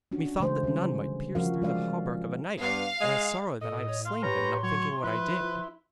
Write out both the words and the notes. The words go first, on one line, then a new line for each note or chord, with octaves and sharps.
'Methought that none might pierce through the hauberk of a knight, and I sorrow that I have slain him, not thinking what I did.'
C#4 D4 F#4
C#3 E3 G#3 A3 C5
D3 D#3 G3 C#4
F3 C#4 F#4 A#4 F5
G#3 D5 F5
G2 B3 D4 F5
G#3 D#5
A2 A4 D#5
C#5
F5 C6
G4 B4 C#5 A#5
F#3 C#5
F3 E4 B4